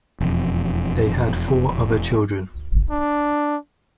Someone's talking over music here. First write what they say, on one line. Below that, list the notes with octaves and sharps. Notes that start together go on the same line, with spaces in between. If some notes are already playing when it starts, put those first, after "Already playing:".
They had four other children.
E1 F2
D4